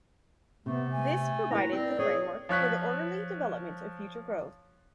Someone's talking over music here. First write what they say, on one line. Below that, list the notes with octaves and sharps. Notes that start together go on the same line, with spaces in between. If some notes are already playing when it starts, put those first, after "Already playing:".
This provided the framework for the orderly development of future growth.
C3 A3 B3
G#5
E4 B4 A#5
C4 D5
G#4 C#5
F3 C#5 F#6 B6